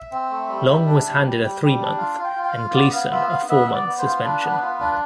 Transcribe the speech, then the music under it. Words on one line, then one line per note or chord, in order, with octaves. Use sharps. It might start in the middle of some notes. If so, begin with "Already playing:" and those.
Long was handed a three-month and Gleeson a four-month suspension.
Already playing: E5
C4
A3
G3
G3
D4
G3
G3
G3
G3
D4
F4 F5
F4
G5
F4
G5
F5
F4
B3 D5
B3 F5
F4 E5
B3 F5
B3 E5
B3
D5
B3
C5
F4
D4 B4
B3
B4
F4
B4
D4